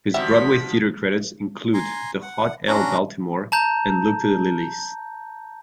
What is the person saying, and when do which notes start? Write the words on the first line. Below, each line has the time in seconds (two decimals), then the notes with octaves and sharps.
His Broadway theatre credits include "The Hot L Baltimore" and "Look to the Lilies".
0.14 D#3 F3 G3 F#4 E5 F#5 B6
1.74 G#5 A#5 C6
2.22 F#5
2.67 C#4 D4 F#4 A#5
3.52 A5 A#5 G6